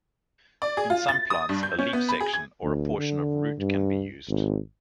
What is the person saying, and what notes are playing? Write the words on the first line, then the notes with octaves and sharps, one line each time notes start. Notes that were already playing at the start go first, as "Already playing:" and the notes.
In some plants, a leaf section or a portion of root can be used.
D5
G#4
F4
A6
D#6
G2
G6
C#4
B3
B5
G#4
G#6
D2
D3
G2
G#1